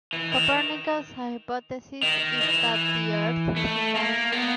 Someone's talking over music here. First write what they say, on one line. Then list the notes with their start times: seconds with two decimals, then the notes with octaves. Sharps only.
Copernicus' hypothesis is that the earth is in motion.
0.13 E3
0.31 D#3
2.03 D#3
2.42 E3
3.56 A3
3.95 A#3
4.32 B3